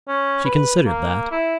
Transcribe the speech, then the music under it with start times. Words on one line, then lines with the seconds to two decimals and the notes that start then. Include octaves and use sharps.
She considered that.
0.08 C#4
0.45 B4
0.86 A#3
1.31 E4